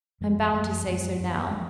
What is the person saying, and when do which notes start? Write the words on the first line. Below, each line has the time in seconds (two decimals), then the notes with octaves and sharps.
I am bound to say so now.
0.21 F#2 F3 G#3 B3
0.54 F#2 F3 G#3 B3
0.87 F#2 F3 G#3 B3
1.19 F#2 F3 B3 D4
1.53 F3 B3 D4